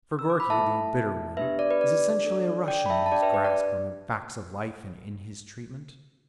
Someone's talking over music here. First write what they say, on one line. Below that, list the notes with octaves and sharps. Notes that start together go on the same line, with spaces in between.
For Gorky, the Bitter One, is essentially a Russian in his grasp on the facts of life and in his treatment.
E6
D6
B5
A3 E4 A4 E5 A5
B3 D4 G4 B4 E5
D5
B4
D5
D4 A4
D5 G5
B5
E5 A5
A5
D4 G4 D5 G5
B4 E5
B4
D5